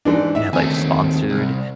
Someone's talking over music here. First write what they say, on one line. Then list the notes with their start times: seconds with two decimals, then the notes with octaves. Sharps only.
you have, like, sponsored,
0.05 G#2 E3 D4
0.35 D#4 E5
0.53 D#2 A3 C4 G#5
1.30 C2